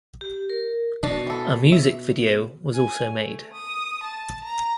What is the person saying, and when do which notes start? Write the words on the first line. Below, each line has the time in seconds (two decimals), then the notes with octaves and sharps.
A music video was also made.
0.21 G4
0.50 A#4
1.03 B2 D4 D5
1.27 E3 A4
1.72 E5
2.74 G#5
3.11 A3
3.53 D#6
4.03 A5
4.44 A#5